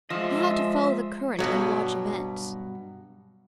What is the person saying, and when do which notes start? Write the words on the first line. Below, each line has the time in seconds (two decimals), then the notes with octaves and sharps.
I had to follow the current and watch events.
0.10 F3 G#3 D#5 E5
1.39 G2 B2 F#3